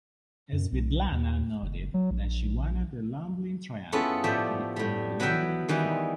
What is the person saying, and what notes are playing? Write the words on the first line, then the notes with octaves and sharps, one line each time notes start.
Svitlana noted that she wanted the "Lublin Triangle" to become the "Lublin Four".
F#2
B1
D#2
F#1
F#3
A#1
B3 C#4 E4 F4 G#4 A4
A2 F3 G4 D5 E5
A2 G3
F#3 B3 E4 E5 G5
D#3 E3 G3 E4